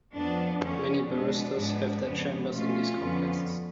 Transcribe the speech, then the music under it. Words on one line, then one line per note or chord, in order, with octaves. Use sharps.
Many barristers have their chambers in these complexes.
F2 F3 B3 D4
F2 D3 F3 B3 C#4
B2 G#3 B3 D4
G#2 F3 G#3 B3
F2 C#3 G#3 B3
B2 A3 C#4 F4
F2 D3 F3 B3